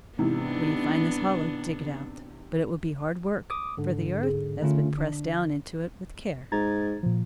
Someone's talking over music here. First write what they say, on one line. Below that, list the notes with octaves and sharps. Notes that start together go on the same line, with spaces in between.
When you find this hollow dig it out; but it will be hard work, for the earth has been pressed down into it with care.
G#2 C3 E3 B3 D4
D6 D#6
G#2 D3
G#4
D3 A3 C#4 F4
D4
G#2 A#5 G#6 A6
A#2 F3